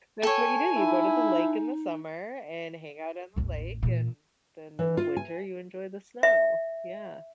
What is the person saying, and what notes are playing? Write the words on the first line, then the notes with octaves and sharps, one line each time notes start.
That's what you do, you go to the lake in the summer and hang out on the lake, and then in the winter you enjoy the snow, yeah.
A4 C#5 G5 G#5
D#4 E4
A1 D#2
A#2 E3
E3
F4
G#5
E5